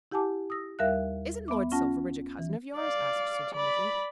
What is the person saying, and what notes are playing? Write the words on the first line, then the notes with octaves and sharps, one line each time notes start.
"Isn't Lord Silverbridge a cousin of yours?" asked Sir Timothy.
E4 G4 F#5 G#5 A5 D6
D#6 E6 A#6
D#2 G3 A#4 E5 F5 F#6
B3 E5 D6
C#4 F4 F#5 A5 A#6
E3
D5 F5
D5 B5